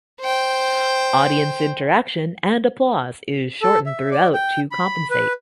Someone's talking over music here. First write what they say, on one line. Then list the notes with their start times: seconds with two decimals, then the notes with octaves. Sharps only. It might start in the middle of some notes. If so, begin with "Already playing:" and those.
Audience interaction and applause is shortened throughout to compensate.
0.21 C5 G5
3.62 A4
3.86 E5
4.11 D5
4.34 G5
4.72 B5
5.10 B4